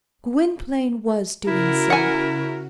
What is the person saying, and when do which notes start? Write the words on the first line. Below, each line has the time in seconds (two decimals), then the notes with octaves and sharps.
Gwynplaine was doing so.
1.47 C#3 E4 F#4 A#4
1.90 F#5 G#5